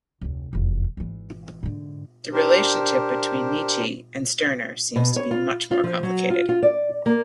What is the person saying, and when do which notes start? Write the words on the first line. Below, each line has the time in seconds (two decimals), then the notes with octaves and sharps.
The relationship between Nietzsche and Stirner seems to be much more complicated.
0.21 F1 D2
0.53 F1 E2
0.97 G#1 E3
1.63 G#2 D3
2.32 D4 G4 A#4 C5
4.96 B2
5.16 C#5
5.31 F4
5.71 F4
5.84 F3
6.03 F#3
6.30 F4
6.49 F4
6.63 D5
7.06 A#3